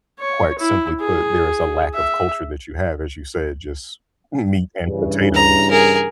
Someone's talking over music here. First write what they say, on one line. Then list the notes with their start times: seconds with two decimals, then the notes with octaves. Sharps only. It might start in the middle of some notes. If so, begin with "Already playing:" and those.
quite simply put, there is a lack of culture that you have, as you said, just m meat and potatoes,
0.19 C#5
0.58 E4
1.00 G#4
1.94 E5
4.87 G2 C#3 E3
5.35 A#5
5.71 G#4 A#4